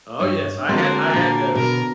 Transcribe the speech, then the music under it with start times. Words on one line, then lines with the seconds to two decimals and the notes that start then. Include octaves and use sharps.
Oh, yes, I had I had those.
0.20 G2 C#5
0.69 D3 G#3 A#3 C4 F#4 A#4 C6
1.14 A#2 D4 B5
1.55 B2 A#4